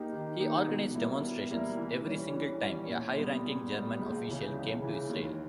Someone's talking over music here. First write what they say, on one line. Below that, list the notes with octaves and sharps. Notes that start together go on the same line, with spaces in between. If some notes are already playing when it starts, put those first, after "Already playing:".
He organized demonstrations every single time a high-ranking German official came to Israel.
Already playing: A#3 D#4 G4
D#3
A#3 D#4 G4
B2
G3 A#3 E4
B2
G3 A#3 E4
E3
G3 C#4
E3
G3 C#4
A#2
G3 B3
A#2
G3 B3
C#2
C#3 E3
C#2
C#3 E3
D#2